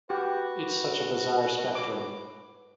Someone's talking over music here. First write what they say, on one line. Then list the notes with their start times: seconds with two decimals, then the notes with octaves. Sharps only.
It's such a bizarre spectrum.
0.10 F#4 G4 B4
1.75 D6